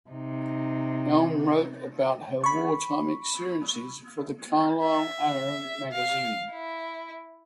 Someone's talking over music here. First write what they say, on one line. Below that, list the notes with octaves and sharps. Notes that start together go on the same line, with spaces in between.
Elm wrote about her wartime experiences for the "Carlisle Arrow" magazine.
C3 D#4
B5 C#6
E5
F5
E4